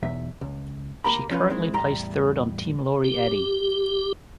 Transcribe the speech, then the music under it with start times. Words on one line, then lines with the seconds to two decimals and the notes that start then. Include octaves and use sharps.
She currently plays third on Team Lori Eddy.
0.03 B1 E2 E5
0.41 C#2
1.04 D2 A#3 G4 A#5 B5
1.30 F3 C#4 F4 B4
1.50 D#3 G#3 C4 E4
1.73 E2 A2 G3 A#5 C6
3.04 G4